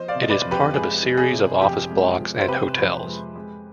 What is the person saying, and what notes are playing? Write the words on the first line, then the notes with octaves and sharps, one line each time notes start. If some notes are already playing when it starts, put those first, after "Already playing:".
It is part of a series of office blocks and hotels.
Already playing: F3 C5 D#5
D5 F5
C3
D#5
B4 D5
F2
G4 B4
G#3 G#4
F3
G#4
C3
F2 G4
G#3
F3
C5
C3 G4 B4
F2
G#3
G#3